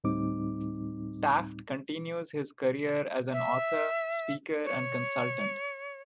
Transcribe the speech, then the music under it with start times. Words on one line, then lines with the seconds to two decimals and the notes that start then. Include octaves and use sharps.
Taft continues his career as an author, speaker, and consultant.
0.04 D2 A2 G3 C4 D#4 D6
3.32 E5
4.64 C#5